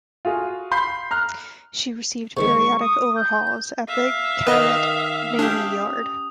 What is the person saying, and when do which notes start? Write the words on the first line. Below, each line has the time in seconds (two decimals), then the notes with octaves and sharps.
She received periodic overhauls at the Cavite Navy Yard.
0.25 F4 F#4 G#4 F5
0.71 F5 B5 C6 G6 C7
1.11 A#5 F6 F#6
2.37 C3 D#3 G#3 C#6
2.80 D#6
3.16 G6
3.88 E5 F5
4.47 D#3 B4 D#5 D#6
5.39 C#4 D4 G4